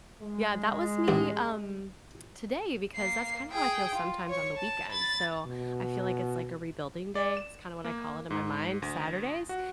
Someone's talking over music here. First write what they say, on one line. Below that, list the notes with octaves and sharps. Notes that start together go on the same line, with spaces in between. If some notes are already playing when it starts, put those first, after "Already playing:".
Yeah, that was me, um, today because that's kinda how I feel sometimes on the weekends, so I feel like it's, like, a rebuilding day, it's kinda what I call it in my mind, Saturdays,
G#3
A1 G2
A#3 C7
G#4 G5
F4
C#5 C#6
A5
B5 A6
B2
D5
E7
A#3
G#2
D2
F#4